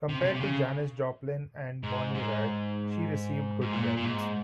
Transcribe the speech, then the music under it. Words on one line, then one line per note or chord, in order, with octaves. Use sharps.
Compared to Janis Joplin and Bonnie Raitt she received good credits.
C3
C#3
C3
C3
C#3
G#2
G#2
G#2
A#2
A#2
G#2